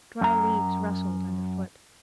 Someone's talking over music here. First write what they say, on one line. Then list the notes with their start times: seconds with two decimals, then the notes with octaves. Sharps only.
Dry leaves rustled under foot.
0.21 F#2 A#5